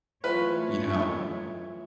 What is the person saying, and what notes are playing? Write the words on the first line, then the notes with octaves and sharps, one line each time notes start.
you know,
E3 F#3 A3 F4 B4 C#5